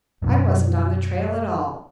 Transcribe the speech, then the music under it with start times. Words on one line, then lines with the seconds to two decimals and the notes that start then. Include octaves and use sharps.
I wasn't on the trail at all.
0.22 F#2 B2 D3